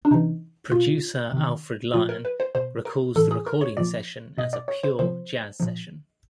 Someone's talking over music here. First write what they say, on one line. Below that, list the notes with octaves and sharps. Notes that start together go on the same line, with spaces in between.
Producer Alfred Lion recalls the recording session as a "pure" jazz session.
D4
C3 E3 D#4
B2 F4
C3 D#3
A#2 F3 F4
A#4
B4
C5
B2 C5
A#4
A2 E3 A4
G#4
A#4
C#5
A#2 F3 D5
B2 D#5
D5
C#5
C5
C3 F3 C5
A#2 F3